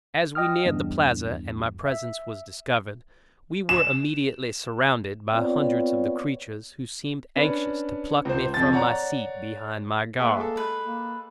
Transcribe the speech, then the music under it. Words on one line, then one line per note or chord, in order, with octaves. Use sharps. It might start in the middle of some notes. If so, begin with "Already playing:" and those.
As we neared the plaza and my presence was discovered we were immediately surrounded by hundreds of the creatures who seemed anxious to pluck me from my seat behind my guard.
D#5 G5 D#6 F6
E2 G2
E5
E7
B3 C4 F4 C#5 D5
C#4 D4 B4
C#2 C5
F2 A6
C#5 D5 F#5 A#5
A#3 G#4 B4 E5
G#3 A4
B4
A#3